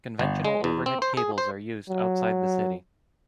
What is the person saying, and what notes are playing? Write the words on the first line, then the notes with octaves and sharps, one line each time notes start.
Conventional overhead cables are used outside the city.
G1
G#3
E2
C4
C5
G#4
C5
F#3